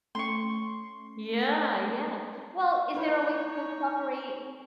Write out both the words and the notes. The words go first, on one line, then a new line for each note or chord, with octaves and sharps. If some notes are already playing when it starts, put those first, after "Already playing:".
Yeah, yeah. Well, is there a way to incorporate
A3 C#4 C6 C#6 C7
D#4 E4 B4 C#5 F5